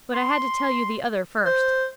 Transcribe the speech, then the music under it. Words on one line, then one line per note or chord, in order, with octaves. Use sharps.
But I had to tell you the other first.
C6
C5